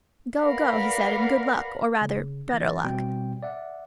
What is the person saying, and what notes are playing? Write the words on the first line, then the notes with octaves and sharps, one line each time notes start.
"Go, go," he said, "and good luck, or rather better luck."
A#4 B4 D5 F5 F#5
C#3
E3 A6 A#6
G#1 B2 G3 C4 G5
D5 E5 F#5